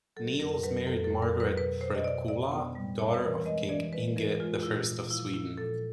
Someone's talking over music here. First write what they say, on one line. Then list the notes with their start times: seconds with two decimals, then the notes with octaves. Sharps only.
Niels married Margaret Fredkulla, daughter of king Inge I of Sweden.
0.16 F#3 A4
0.40 F2 A#4
0.63 F#3 B4
0.87 F2 A4
1.04 A4
1.11 F2
1.22 A#4
1.34 F#3
1.40 B4
1.57 B2 B4
1.81 B2 C5
1.95 D#5
2.04 B2 D5
2.28 B2 D5
2.52 B3
2.75 G3
2.99 C4 C#5
3.14 B4
3.22 E3 A#4
3.45 G#3 D#5
3.69 E3 D5
3.92 G#3 B4
4.16 E3 A#4
4.40 G#3 F4
4.63 A#2 E4
4.86 A#2
5.11 F3 E4
5.34 F3 E4
5.57 A#2 A4